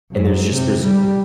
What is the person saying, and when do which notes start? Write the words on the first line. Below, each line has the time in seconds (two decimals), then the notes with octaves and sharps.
And there's just there's
0.12 F#2
0.53 C3
0.81 G3